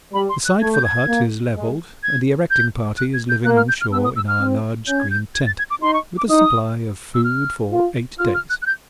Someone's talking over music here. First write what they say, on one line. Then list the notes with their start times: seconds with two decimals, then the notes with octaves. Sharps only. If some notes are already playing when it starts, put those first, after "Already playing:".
The site for the hut is levelled and the erecting party is living on shore in our large green tent with a supply of food for eight days.
0.13 G3 B5
0.29 C6
0.45 F#6
0.61 A3 G#6
0.74 G6
0.85 G#6
1.08 A#3
1.56 G#3
2.03 G#6
2.50 G6
2.98 F#6
3.14 G#6
3.29 G6
3.45 A#3 F#6
3.57 F6
3.69 G6
3.81 F6
3.92 B3 E6
4.04 D#6
4.16 E6
4.28 F6
4.40 C4
4.87 C#4 G6
4.99 G#6
5.11 G6
5.35 G#6
5.46 A6
5.59 G#6
5.70 D6
5.82 D#4 C6
5.94 C#6
6.18 D6
6.29 D#4 D#6
7.14 E6
7.24 F6
7.72 F4
8.19 F4 F6
8.34 F6
8.50 F#6
8.62 F#6
8.66 G6